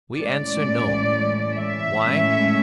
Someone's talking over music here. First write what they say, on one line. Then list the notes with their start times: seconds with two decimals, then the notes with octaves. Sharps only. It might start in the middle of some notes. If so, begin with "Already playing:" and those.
We answer No. Why?
0.17 A2 E3 G#3 C#4 D5
1.57 E5
2.05 A2 G#3 C#4